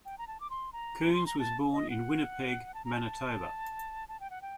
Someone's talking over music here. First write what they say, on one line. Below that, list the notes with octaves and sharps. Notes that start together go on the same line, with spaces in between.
Coons was born in Winnipeg, Manitoba.
G5
A#5
A5
D6
C6
A#5
C6
A#5
A5
D#5
F#5
A5
A#5
A5
A5
G5
F#5
G5